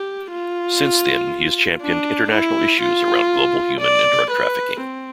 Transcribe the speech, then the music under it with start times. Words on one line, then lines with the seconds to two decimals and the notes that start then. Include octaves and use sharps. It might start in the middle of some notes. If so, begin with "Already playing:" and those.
Since then, he has championed international issues around global human and drug trafficking.
Already playing: G4
0.32 F4
1.82 D4
2.31 E4
2.81 F4
3.81 D5
4.31 B4
4.80 C4